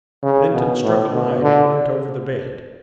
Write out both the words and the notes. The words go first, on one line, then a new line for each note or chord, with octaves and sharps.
Lynton struck a light and leant over the bed.
C#3
B2
A2
B2
D3